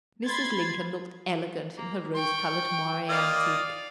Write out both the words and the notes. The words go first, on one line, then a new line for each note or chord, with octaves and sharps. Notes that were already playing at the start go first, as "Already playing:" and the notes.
Mrs. Lincoln looked elegant in her rose-colored moire-antique.
B5 C6 G#6 A6
A#3
G5 C#6
A#3 F4 D5 D#5 F5